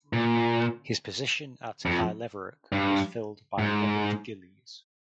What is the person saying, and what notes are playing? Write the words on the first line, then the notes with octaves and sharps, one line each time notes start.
His position at Caerlaverock was filled by Robert Gillies.
A#2
F2
G2
G#2